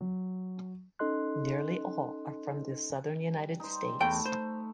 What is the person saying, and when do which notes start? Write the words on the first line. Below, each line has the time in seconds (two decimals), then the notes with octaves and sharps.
Nearly all are from the Southern United States.
0.01 F#3
0.99 C#4 D#4 A4 D#5 C6 F#6
3.33 G3
3.60 D#4 C5
4.00 E2 A3 G5 B5
4.26 C5